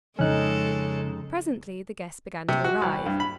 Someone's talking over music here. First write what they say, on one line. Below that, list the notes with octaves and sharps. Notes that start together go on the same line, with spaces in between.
Presently the guests began to arrive.
F2 C#3 G#3 C#4 D#4 A4 F#6
C3
F#4
C2
G2
B5